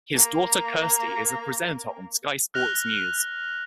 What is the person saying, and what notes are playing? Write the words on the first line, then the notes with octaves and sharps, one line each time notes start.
His daughter Kirsty is a presenter on Sky Sports News.
A#3 A#5
F6 F#6 A#6 F7